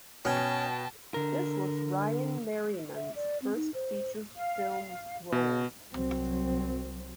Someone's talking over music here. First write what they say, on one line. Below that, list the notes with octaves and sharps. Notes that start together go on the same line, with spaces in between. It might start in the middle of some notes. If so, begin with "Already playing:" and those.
This was Ryan Merriman's first feature film role.
B2 C#4 G5 A5
D3 A#4
E5
D5
C4
D#4
C5
F5
B2
C2 F#3 C4